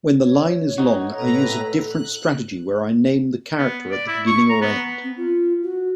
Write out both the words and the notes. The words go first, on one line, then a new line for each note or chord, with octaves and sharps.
When the line is long, I use a different strategy where I name the character at the beginning or end.
C#5
D#4 F#4
A2 A4 B4 A#5
F#6
B3
D5
E4
C#6
A#5
B3
C4
F4
F#4